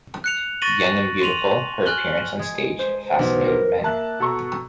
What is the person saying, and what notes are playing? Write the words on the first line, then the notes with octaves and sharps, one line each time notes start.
Young and beautiful, her appearance on stage fascinated men.
F#6 C#7 F7
C#6 A6 A#6 D#7 F#7
C6 D#7 F7 F#7
G#5 F6 F#6 F#7 G7
G#3
C5
B1
A#4
A#3 E5 A5 F#6
B2 A4 A#5 C#6